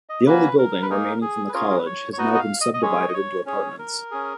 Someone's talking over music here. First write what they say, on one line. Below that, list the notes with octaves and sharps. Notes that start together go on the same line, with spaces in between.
The only building remaining from the college has now been subdivided into apartments.
D#5
A#3 C#4 F#4 B4
A#4
B4
A#3 D#4 G#4 A#4
G#4
B4
C#4 F4 G#4 A#4
A#4
B4
C#5
C#5
B3 D#4 F#4 D#5
D#5
F5
D#5
D#5
G#3 C#4 G#4 C#5
D#5
C#5
C#4 G#4 C#5
A#4
C#4 G#4